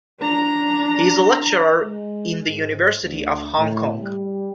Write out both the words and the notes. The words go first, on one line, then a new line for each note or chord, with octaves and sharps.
He is a lecturer in at the University of Hong Kong.
D4 A#5
G#3
G#2
D2
A2
G3